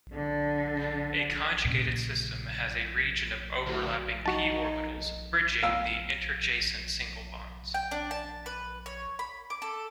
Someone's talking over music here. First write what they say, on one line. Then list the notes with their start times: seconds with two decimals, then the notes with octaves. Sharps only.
A conjugated system has a region of overlapping p-orbitals, bridging the interjacent single bonds.
0.14 D3
1.65 A#2 C#3
3.67 D2 A2 E4 F#4
4.26 D#4 F#4 A5
5.63 F5 E6
7.74 G5
7.91 D4
8.11 A5
8.46 B4
8.86 C#5
9.19 B5
9.50 D6
9.62 A4